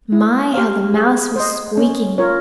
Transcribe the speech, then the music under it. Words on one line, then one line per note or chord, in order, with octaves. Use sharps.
My! how the mouse was squeaking!
E4
G4 C5 F5
G#4
C5 D#5
C#4
F4 A#4 C#5